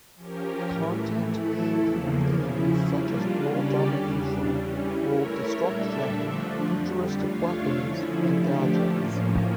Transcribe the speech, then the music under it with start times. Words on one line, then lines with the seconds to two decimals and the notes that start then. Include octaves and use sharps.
Content may include themes such as world domination, world destruction, futuristic weapons, and gadgets.
0.15 F3 C#4 G4 A#4
0.69 A2 E3 A3
1.23 E3 A3 E4 A4
1.76 E2 C#3 F3 A#3
2.30 C#3 F3 C#4 E4
2.85 G3 A#3 D4 F4
3.39 C#3 G3 C#4 G4 D5
3.94 E2 C#3 G3 D4
4.47 E3 G3 C#4
5.01 A3 E4 A#4 C#5
5.55 A#2 G3 D4 A4 E5
6.10 D3 F3 A3 D4
6.63 F2 D3 G3
7.18 A3 D4 F4 C#5 F5
7.71 D3 F3 C#4 E4
8.26 D3 F3 A3 D4 G4
8.81 A2 F3 A#3 C#4